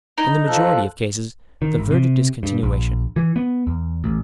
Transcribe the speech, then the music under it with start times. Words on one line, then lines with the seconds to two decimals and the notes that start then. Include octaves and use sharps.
In the majority of cases the verdict is continuation.
0.18 D#4
0.47 F3 A4 F#6
1.62 D#3
1.78 G#1
1.91 C3
2.43 G2
2.63 A#1
3.16 E3
3.36 B3
3.67 E2
4.04 A1